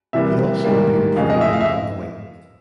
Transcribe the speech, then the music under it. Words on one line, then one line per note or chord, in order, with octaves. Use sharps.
He also appeared for England on the wing.
C3 E3 G3 A#3 E5
G#2 D#3 G3 A#3
F2 C#3 F3 G#3 F5
D#5
E5
F5
E5